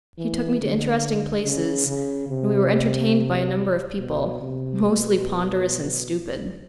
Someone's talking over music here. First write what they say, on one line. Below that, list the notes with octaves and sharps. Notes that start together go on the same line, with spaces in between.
He took me to interesting places and we were entertained by a number of people, mostly ponderous and stupid.
E3
D3
C#3
C#3
C3
B2
C3
B2